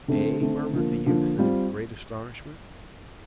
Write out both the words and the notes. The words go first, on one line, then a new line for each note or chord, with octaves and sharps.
"Eh?" murmured the youth in great astonishment.
D3 A3 C4
D3 A3 C4
D3 F3 A#3
D3 F3 A#3
G3 C4 F4